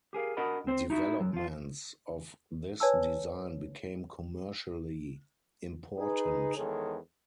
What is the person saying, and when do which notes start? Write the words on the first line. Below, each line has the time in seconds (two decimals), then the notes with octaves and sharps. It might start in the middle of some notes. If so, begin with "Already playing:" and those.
Developments of this design became commercially important.
0.13 G4 G#4 A#4 F5
0.37 D4 F#4 A#4 D#5 F#5 B5
0.67 C4 C5
0.90 D#4 E4 F#4
1.20 F#2 F#3
1.33 F3 F4
2.80 B4 C#5 G#5 A5 E6
5.98 D#4 G#4 B4
6.57 E2 D#3 G#3 G#4 A4 C#5